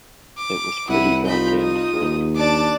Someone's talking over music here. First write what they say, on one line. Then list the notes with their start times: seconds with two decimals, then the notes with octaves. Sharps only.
It was pretty goddamned thrilling.
0.38 D6
0.89 C2 E4 F#5 D#7
1.26 D#4 F4 B5 G6
1.61 D#6
2.02 D#2
2.37 D4 D5 A5 D6